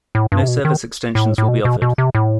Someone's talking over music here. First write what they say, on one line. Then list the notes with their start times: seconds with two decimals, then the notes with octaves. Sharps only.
No service extensions will be offered.
0.15 A2
0.32 G2
0.43 C3
0.48 B2
0.65 D#3
1.15 A2
1.38 A2
1.48 B2
1.65 B2
1.82 B2
1.98 C3
2.15 A2